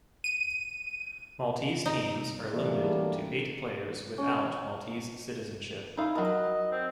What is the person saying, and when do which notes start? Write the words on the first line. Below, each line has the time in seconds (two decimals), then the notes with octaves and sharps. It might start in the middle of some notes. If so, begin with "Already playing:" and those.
Maltese teams are limited to eight players without Maltese citizenship.
0.24 D#7
1.86 D#4
2.51 F#2 E3 G3 A3 A#3 D4
4.18 C#4
5.97 D#4 E4 F5
6.15 F#3 A#4 D#5
6.72 C4